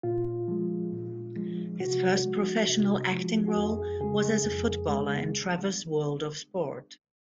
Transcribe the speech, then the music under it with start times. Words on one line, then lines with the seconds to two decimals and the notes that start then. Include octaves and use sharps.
His first professional acting role was as a footballer in "Trevor's World of Sport".
0.03 A#2 F4
0.48 F3 G#3
0.92 A#2
1.36 F3 G#3
1.80 C3 F#4
2.25 F3 G#3
2.69 C3
3.13 F3 G#3
3.48 F#4
3.56 F2 G#4
4.00 C#3 G#3 G#4
4.45 F2
4.88 C#3 G#3